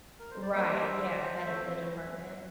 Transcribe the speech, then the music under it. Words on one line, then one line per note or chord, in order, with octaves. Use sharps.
Right, yeah, head of the department.
A#4
C5
D5
G3 A#3 D4 C5 E5
A3 C4 E4